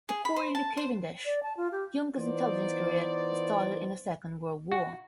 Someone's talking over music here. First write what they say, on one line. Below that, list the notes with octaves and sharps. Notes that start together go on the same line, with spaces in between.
According to Cavendish, Young's intelligence career started in the Second World War.
G#4
B5
C5
A5
C5
D5
A5
F4
G4
E3 B3 D#4 F4 C5 D5
F#4